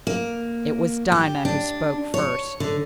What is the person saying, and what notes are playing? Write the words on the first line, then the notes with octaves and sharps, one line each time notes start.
It was Dinah who spoke first.
A#3
G4
D4
C#5
D3